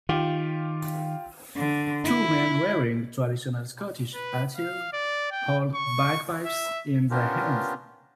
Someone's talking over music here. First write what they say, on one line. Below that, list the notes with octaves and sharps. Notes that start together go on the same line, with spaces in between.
Two men wearing traditional Scottish attire, hold bagpipes in their hands.
D#3 F4 G4 F5
D3
E4
B4
F5
D5
G5
C#6
E5
B3 C#4 D4 F4 G4 A#4